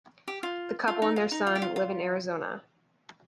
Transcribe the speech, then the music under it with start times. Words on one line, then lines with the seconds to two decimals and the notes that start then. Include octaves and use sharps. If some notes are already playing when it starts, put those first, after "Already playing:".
The couple and their son live in Arizona.
0.28 G4
0.43 F4
0.88 F4
1.02 D#4
1.16 F4
1.32 D#4
1.47 F4
1.55 G4
1.62 F4
1.76 F4